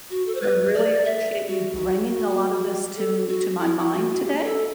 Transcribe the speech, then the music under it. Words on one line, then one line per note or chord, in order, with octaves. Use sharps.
I really appreciate you bringing a lotta this to to my mind today.
F#4
A4
C5
B4
D5
E5
F#4
A4
F#4
E4
E4
F#4
F#4
G4
G4
A4